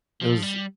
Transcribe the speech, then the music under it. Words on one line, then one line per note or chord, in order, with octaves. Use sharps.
it was
F3
G3